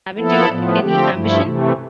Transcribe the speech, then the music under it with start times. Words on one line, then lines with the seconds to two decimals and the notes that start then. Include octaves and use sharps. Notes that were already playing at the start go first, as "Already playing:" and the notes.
Haven't you any ambition?
0.18 F3 B3 E4 A4
0.49 A2 F3 B3
0.79 D3 F3 A3 C4 G4
1.10 G2 F3 A3 E4
1.41 C3 E3 A3